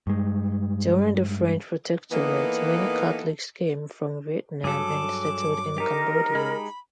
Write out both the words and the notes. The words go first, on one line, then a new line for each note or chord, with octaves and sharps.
During the French Protectorate, many Catholics came from Vietnam and settled in Cambodia.
G2 G#3
E3 A#3 B3 D#4 A4 B4
G2 F#3 G#4 A4 D6
D#4 G4 A#4
G#3 B5